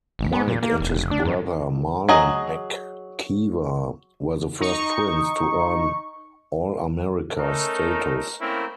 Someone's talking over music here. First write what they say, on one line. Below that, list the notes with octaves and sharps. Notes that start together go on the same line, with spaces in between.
Mike and his brother Marlin McKeever were the first twins to earn All-America status.
G#1
B3
A#2
A#3
E1
F1
D4
F#2
F#3 G#4 D#5
D#4 C#6
A3 C#4 D#4 A4 A#4
A3 A#3 C4 C#4 E4 A#4